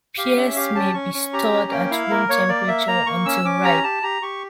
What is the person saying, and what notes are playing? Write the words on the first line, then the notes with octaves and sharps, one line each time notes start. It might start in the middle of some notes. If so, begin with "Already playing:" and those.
Pears may be stored at room temperature until ripe.
G4 F5
C#4 E5
G4 F5
C#4 A5
C#4 C#6
C#4
G4 A#5
C#4
A#3 G5
E4 F5
A#3 A#4
A#3 C#5
A#3 D5
A#3 E5
A#3 A#5
A#3 C#6
C#4 E6
C#4 D6
G4 A#5
G4 A5
G4 A#5
G4 C#6